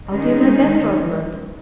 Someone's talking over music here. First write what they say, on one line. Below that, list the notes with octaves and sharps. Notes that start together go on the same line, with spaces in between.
'I'll do my best, Rosamond.
D#3 G#3 C#4 D#4